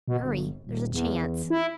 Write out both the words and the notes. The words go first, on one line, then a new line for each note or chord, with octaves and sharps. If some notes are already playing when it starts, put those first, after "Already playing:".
"Hurry! There's a chance!"
B2
G1
D#1
E2
E4